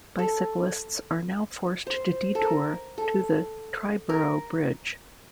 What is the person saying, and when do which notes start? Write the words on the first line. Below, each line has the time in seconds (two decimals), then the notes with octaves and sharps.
Bicyclists are now forced to detour to the Triborough Bridge.
0.19 A4
1.87 C5
2.35 A4
2.42 A#4
2.98 A4
4.09 A#4